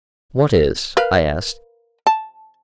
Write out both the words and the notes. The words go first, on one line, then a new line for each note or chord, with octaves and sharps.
"What is?" I asked.
A#4 B4 F5
A5